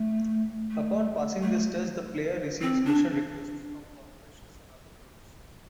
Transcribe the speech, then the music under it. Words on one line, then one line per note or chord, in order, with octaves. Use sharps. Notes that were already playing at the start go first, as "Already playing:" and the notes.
Upon passing this test, the player receives mission requests from corporations and other groups.
Already playing: A3
A3
A3
C4
D4